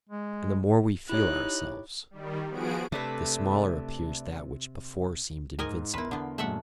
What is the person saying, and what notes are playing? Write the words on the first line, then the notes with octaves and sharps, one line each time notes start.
And the more we feel ourselves, the smaller appears that which before seemed invincible.
G#3
D#4 E4 G4 C#5 F#6
D#3 G3
F3 B3 F#4 G#4 D7
C3 A3 D4 B4
G#2 A#4 D#5 G#5
E2 E4 A#4 B4 C6
D3 B3
F#2 A#2 G#3 A3 E5 F#5